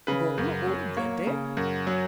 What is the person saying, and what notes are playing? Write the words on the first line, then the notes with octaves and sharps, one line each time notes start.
"Gone already?"
C#3 B4
F#2
F#3
A#3 C#5
C#3
F#2
F#3